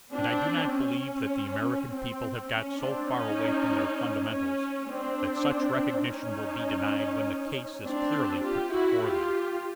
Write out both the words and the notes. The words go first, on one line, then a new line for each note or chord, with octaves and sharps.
And I do not believe that the American people have got so far away from their fundamentals that such recognition will be denied when the case is clearly put before them.
C4 D4
C#4
C4
C#4
C4 D4
C#4 D#4
C#4
C4 D4
C#4 D#4
C4 D4
F4 G4
E4 F#4
F4 G4